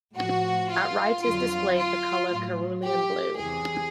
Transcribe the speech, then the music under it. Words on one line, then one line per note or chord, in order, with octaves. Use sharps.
At right is displayed the colour cerulean blue.
A2 F3 F#4
F4
F2 D3 F#3 F4
F4
A2 F#3
G4
E2 C3 E3 G#4